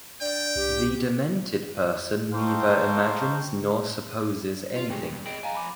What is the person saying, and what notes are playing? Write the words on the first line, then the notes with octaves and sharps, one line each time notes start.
The demented person neither imagines nor supposes anything.
D4 D5 G5
C2 G4
D#4 A4 C5 F5 G5 C#6
F4
C#3 F#3 G#3 G4 G#4 G5
G2
G#4 D#5 G5 D7
F2 D#5 F5 G#5 A#5
B5 D6